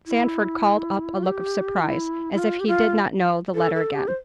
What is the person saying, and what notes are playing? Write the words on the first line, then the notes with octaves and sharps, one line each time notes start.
Sandford called up a look of surprise, as if he did not know the letter again.
E4
F4
G4
E4
E4
F4
G4
F4
A4
A4
G4
C5